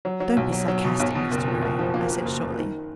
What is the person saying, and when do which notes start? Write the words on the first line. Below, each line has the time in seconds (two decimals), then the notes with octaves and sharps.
"Don't be sarcastic, Mr Grey," I said shortly.
0.05 F#3
0.20 F#3
0.37 B1
0.52 F#3
0.68 F#3
0.84 B2
1.00 B1
1.15 B2
1.31 F#1
1.48 F2
1.62 F#1
1.79 F3
1.94 A#3
2.11 A#3
2.25 F#1
2.42 F#1
2.58 D#3